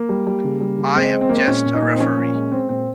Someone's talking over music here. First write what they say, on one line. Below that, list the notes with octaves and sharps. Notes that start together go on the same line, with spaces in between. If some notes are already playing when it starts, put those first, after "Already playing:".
I am just a referee.
Already playing: A#3
G3
G3
C#3
G3
C#3
G#3 C4
G#3
C4
G#3 A#3
C4
A#2 C#4
A#2
D#4
A#2
C4
F3 C#4
A#2
G#3
G#3 C4
A#2 C4